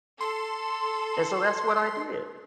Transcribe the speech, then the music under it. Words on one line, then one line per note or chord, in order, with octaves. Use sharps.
and so that's what I did,
A4 C6